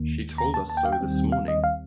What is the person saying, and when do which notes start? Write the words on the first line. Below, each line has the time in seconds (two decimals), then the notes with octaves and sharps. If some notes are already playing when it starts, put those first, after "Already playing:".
She told us so this morning.
Already playing: D#2 D#3 A#3
0.38 A#5
0.54 A5
0.70 A5
0.77 G5
0.85 F5
0.92 G5
1.01 D#2 D#3 G3 C4
1.32 F5
1.48 D#5
1.64 F5